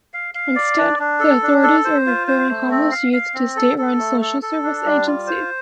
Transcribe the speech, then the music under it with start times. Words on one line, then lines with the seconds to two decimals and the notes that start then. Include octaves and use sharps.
Instead, the authorities are referring homeless youth to state-run social service agencies.
0.14 F5
0.35 F5
0.56 D5
0.78 D4
0.99 D4
1.20 A4
1.42 D4
1.63 A4
1.85 C5
2.06 F4
2.27 C5
2.49 A3
2.70 C4
2.92 F5
3.13 F5
3.34 C4
3.57 A4
3.78 A4
3.98 A3
4.21 A4
4.42 A4
4.63 D4
4.85 G3
5.06 F4
5.27 C5